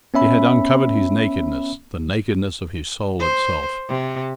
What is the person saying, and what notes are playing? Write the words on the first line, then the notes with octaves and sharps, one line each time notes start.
He had uncovered his nakedness--the nakedness of his soul itself.
B3 C#4 E5 B5
C5
C3